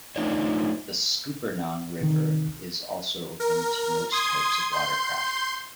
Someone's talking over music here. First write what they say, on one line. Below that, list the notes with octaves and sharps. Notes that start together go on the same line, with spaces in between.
The Scuppernong River is also open to most types of watercraft.
A3 D4 D#4 F4 C5 C#5
C3 D#3
A#4
C6 D#6 G#6
C6 G6